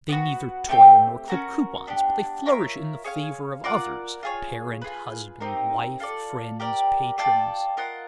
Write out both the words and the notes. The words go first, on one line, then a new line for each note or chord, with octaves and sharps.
They neither toil nor clip coupons, but they flourish in the favor of others--parent, husband, wife, friends, patrons.
B3 D#4 F#4 B4
A3 C4 E4 G4
C#4 F#4 A#4
B3 D4 G4
F4 A#4 C#5 E5
G#4 C#5 F5 G#5
F4 A#4 D5 F#5
F4 G#4 C#5
F4 G#4 B4
C4 D#4 G4 A#4
F4 A4 D5
G4 A#4 D5
F4 A4 D5 G5
F4 A#4 D#5 F#5